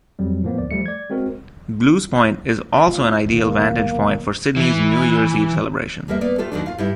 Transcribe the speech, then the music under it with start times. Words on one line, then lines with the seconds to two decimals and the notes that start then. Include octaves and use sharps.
Blues Point is also an ideal vantage point for Sydney's New Years Eve celebration.
0.19 F2 F#3 G3
0.43 A2 F3 A#3 B3
0.58 D2 D5
0.71 F3 G3 A3 C#7
0.86 D5 G#6
1.10 G#3 C4 F#4 A#4
2.88 C#2 F4
3.26 D1 B1 D#3 A#3
4.56 E3
6.08 E2 G3 A#3 A#4 E5
6.21 A#3 B3 D5
6.38 A3 F4 G4 A4
6.52 D#2 A2 D#3 F#3 A3 D4
6.66 F4 F5
6.78 G2 G3 E4